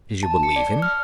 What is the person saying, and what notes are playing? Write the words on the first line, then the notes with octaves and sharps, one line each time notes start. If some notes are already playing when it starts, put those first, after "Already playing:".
"Did you believe him?"
A5
C#7
D5
F6